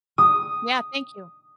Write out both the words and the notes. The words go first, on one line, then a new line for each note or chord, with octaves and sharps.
Yeah, thank you.
D#6